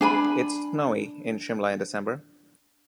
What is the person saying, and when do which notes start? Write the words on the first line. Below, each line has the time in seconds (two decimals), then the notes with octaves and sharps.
It's snowy in Shimla in December.
0.01 D4 G#5 B5